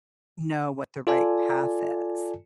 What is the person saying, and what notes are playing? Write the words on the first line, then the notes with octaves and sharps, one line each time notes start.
know what the right path is?
F4 A4 D5 G#5 A5